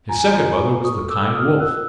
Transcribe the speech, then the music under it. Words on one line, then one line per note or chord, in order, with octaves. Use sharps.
His second mother was the kind wolf.
F4 G#5 A#5
C#5
F4
A4
A4 C#6 D#6
A4
D6 E6
A4
D#6 F6
F4
A#4 E6 F#6